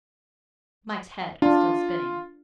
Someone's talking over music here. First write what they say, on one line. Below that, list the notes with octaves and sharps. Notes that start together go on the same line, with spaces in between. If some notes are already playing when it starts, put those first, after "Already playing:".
Mike's head was still spinning.
D4 F4